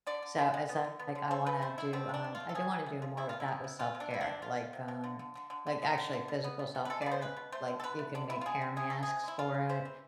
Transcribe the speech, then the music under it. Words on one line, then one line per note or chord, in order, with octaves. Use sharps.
so as I like, I wanna do, um I do wanna do more with that with self-care, like, um, like actually physical self-care, like, you can make hair masks for it,
D3 D5
D3
D3
G#3
B3
D3
B3
D3
A3 C5
A3 B4
B2 C5
B2 E4
B2 C4
B2 D4
B2
F4
A3
A4
F3 G#4
B3
C3
F3
C3 E4
F3 F4
E4
B3
C3
C3 F4
C3
D4
C3 E4
D4
C3
C3 F4
C3
C3
C3
D3
D3
D3
D3
D3
G#3
D3
D3
B2
B3
B2
B2
B4
G#3 A4
D5
B3
C5
G#3 B4
B2
A3 C5
D3
A4
D3 B4
A3
D3 D4
D3 E4
F4
D3 G#4
D3
C3 G#4
E3 A4
G#4
C3
G#3 E4
E3 F4
E3
C3 C5
E3